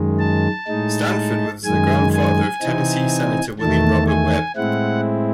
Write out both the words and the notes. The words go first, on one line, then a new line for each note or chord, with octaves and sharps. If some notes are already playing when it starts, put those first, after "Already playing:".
Stanford was the grandfather of Tennessee Senator William Robert Webb.
Already playing: F#2 D#3 G#3
A5
A2 G#3 D#4
F#2 D#3 G#3 G#5
G#5
C3 E3 C4 D#4
E2 D#3 A3 A5
G#5
A2 G#3 C4 E4 F#5